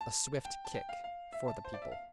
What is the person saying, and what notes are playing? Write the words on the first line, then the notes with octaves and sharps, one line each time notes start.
A swift kick for the people.
A5
G5
A5
G5
F5
F5
E5
A5
C5
D5
E5
F5